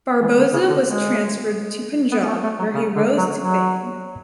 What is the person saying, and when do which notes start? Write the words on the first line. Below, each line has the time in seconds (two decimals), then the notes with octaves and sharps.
Barboza was transferred to Punjab where he rose to fame.
0.22 E3
0.38 D3
0.53 C#3
0.69 D3
0.85 G#3
2.12 B3
2.28 A3
2.43 A3
2.59 F#3
2.74 C#3
2.96 D3
3.18 F#3
3.38 F#3